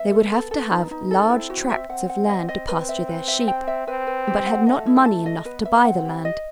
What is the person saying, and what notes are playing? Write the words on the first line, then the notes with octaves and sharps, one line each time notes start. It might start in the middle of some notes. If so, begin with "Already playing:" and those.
They would have to have large tracts of land to pasture their sheep, but had not money enough to buy the land.
Already playing: B3 E5
A4
A4
A4
D#4
D#4
C4 A4
E4
F#4
E5
C4 F#5
F#5
D#5
D#5
C4 B4
E5
B4
E5
G5
E5
C4 B4
B4
G4
F#5
A3 D#5
E4
A3 A5
D#5
B3 B4
E5
C4 F#5
G4
D#5